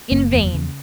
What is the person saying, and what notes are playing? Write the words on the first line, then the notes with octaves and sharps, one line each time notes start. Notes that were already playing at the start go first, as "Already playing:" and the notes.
In vain!
F#1 A#3
E2
C#3